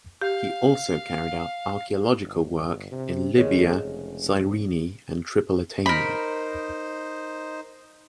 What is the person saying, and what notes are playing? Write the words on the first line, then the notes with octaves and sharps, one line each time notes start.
He also carried out archaeological work in Libya, Cyrene and Tripolitania.
G4 F5
G1
C3
D#2 C#3 G#3
F1
D#4 A#4 C5 B5